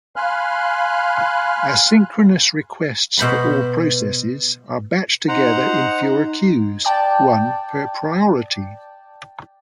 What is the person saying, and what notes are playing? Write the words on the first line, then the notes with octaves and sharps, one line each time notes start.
Asynchronous requests for all processes are batched together in fewer queues, one per priority.
F5 G#5 B5 C6 F6 F#6
B2 C5 B5 C6
D#4 C5 F#5 A#5
D5 G5 A5